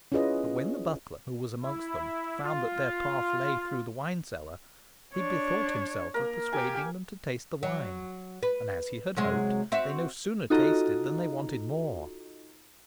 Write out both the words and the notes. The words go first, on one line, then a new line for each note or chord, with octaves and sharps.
But when the butler, who was amongst them, found that their path lay through the wine cellar, he bethought himself of persuading them to taste the wine, and, as he had hoped, they no sooner tasted than they wanted more.
C#4 E4 F4 G#4 B4 D#5
E4
F4
D4 C#5
A#3 A#4
G4 G#5
F#3
B4
C3 F#3 G#3
C4 F#4 E5
D#4 F4 F#4 A4 D#5 A#5